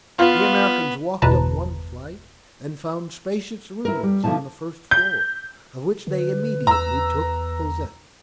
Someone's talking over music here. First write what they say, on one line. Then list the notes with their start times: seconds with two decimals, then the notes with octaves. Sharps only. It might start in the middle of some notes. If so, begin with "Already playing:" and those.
The Americans walked up one flight and found spacious rooms on the first floor, of which they immediately took possession.
0.19 B3 F4
1.22 G1 E2 B2 B4 A5 A#5
3.85 E4 A#4
4.03 G3
4.24 D3 F3 D#4 E4 A5
4.91 G6
6.07 D3 B4
6.67 E2 A#5 E6